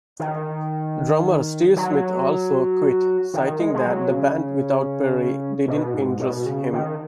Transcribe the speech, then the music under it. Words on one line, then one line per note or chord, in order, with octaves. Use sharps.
Drummer Steve Smith also quit citing that the band without Perry didn't interest him.
D#3
F#3
D#3
G#3
G#3
F#3
C#3
B2
G#2
B2
C#3
D#3